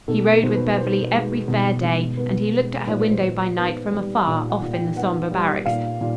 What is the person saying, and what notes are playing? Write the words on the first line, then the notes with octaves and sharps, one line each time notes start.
He rode with Beverly every fair day and he looked at her window by night from afar off in the sombre barracks.
B2 A4
A#4
B2 C5
B4
B3 C5
G#3
B2
B2
B3
G#3
A#2 C5
B4
C5
A#2
B3 C5
G3
A#2
F#5
A#2
G5
B3 F#5
G3
A#2 F5
A#2